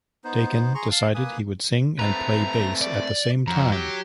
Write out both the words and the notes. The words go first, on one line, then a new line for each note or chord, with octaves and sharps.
Dakin decided he would sing and play bass at the same time.
B3 D#4 C5
G#4 A#5 C6 C#6
F5 A5
A#3 B4 G#5 D#6
A3 C4 B4 A#5
D5
F2 F#5 A#5
F#3 G4